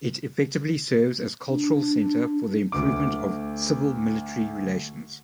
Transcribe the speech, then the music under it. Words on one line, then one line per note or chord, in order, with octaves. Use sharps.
It effectively serves as cultural center for the improvement of civil–military relations.
D4
D2 D6